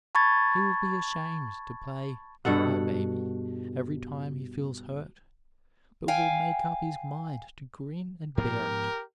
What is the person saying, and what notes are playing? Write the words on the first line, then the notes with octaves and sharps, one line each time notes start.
He will be ashamed to play "cry baby" every time he feels hurt, but will make up his mind to grin and bear it.
A5 B5 C#6 G#6 A6
G2 B2 A4 F#5
F5 G5 G#5
G#2 F3 B3 G4 A#4